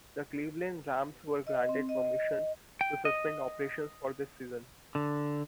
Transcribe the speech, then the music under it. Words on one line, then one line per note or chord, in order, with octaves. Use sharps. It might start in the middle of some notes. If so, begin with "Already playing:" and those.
The Cleveland Rams were granted permission to suspend operations for this season.
D#5
C4
D#5
G5
D#5
D3